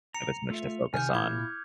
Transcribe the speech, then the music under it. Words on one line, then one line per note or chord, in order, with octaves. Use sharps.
have as much to focus on.
A#5 C#7 F7
A3 F4 E5
C3 D#3 G#5 F6 G6
A#2 E4 D6 G#6